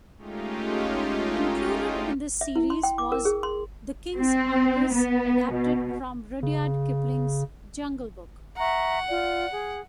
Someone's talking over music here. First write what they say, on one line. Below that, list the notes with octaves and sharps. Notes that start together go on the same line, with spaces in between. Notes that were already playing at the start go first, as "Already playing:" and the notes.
Included in this series was "The King's Ankus", adapted from Rudyard Kipling's "Jungle Book".
G#3 A3 C#4 D#4 F4 G4
E5
E4
C6
G5
D6
A#4
G#4
C6
C4
B3
B2
C#3
E5 F#5 A#5 C#6
F4 D5
G#4